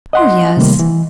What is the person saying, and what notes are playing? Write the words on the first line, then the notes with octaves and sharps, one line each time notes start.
Oh, yes.
D#5 F#5 C6
C3 D#3 G3 A3 A#3
E3